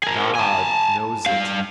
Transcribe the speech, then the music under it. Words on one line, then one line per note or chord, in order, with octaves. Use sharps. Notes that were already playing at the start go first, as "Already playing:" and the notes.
God knows it.
G#4 A#4
G#5 A5
G2 F5